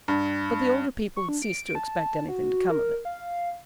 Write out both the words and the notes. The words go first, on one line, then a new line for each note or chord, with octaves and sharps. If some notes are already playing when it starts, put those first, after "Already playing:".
But the older people had ceased to expect anything to come of it.
G2
C#6
D4
D7
A5
F#4
A#4
F5